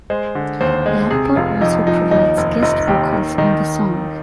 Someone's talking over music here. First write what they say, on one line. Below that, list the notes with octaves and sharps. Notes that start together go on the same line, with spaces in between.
Lauper also provides guest vocals on the song.
G#3 C5
D3
D#2 C5
G#3
C3 G#4
F1 F4
F2 D#4
F3 D#4
D#2 D#4
F1
F1 D#4
D#2 G4
D#3
D#3 D#4